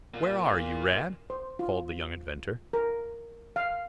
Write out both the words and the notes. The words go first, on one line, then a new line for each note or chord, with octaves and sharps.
"Where are you, Rad?" called the young inventor.
A#3 F4
C5
F4
A#4
F5